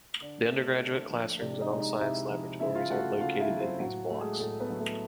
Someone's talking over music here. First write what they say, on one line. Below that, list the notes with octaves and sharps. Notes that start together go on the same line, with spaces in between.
The undergraduate classrooms and all science laboratories are located in these blocks.
D3 D4 D5
A3
D3
F3
C3 D4 D5
D#4 D#5
G#3
D#4 D#5
C3 E4 E5
F3
C#3 E4 E5
F4 F5
A3 F#4 F#5
C#3 F4 F5
E4 E5
F#3
C4 C5
A2 F#3 F#4
A3
G#3 G#4
A2 A3 A4
B3 B4
F#3
A3 A4